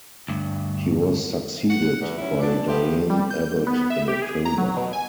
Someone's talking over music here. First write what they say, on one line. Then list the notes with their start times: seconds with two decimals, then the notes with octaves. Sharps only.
He was succeeded by Diane Abbott in October.
0.28 D2 G2
1.70 F#5
2.02 E2
2.18 F#2 C#4 E4
2.41 B2 F#3 D4
2.68 A3 B3 F4 G4
3.10 G3
3.31 G6
3.67 B3
3.90 E5
4.08 G4
4.22 G#4
4.45 A#5
4.58 F#3
4.77 B2
4.93 G#5